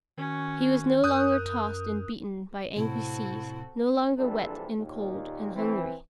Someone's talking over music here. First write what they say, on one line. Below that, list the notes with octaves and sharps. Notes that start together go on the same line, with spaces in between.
He was no longer tossed and beaten by angry seas, no longer wet and cold and hungry.
D#3 C#4 F#4
F#2 A#4 D#6 F#6 G6
A2 C3 C4 E4 F#4 A4
A#1 C3 E3 G3 D4 A4
D#2 A#2
E3 C4